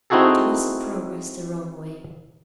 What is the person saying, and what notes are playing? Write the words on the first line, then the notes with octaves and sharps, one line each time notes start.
It was a progress the wrong way.
C4 D#4 E4 F#4 G#4 A4